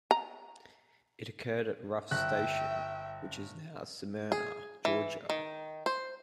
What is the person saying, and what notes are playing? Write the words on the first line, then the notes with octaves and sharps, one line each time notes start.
It occurred at Ruff's Station, which is now Smyrna, Georgia.
A#5
G1 E5 G5 F#6
G#4
E3
D#3
C5